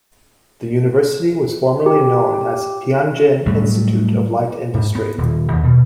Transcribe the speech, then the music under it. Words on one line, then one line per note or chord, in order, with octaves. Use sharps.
The university was formerly known as Tianjin Institute of Light Industry.
G4
A2 F#3 G3
G#2
B3
D#1
D#2
B2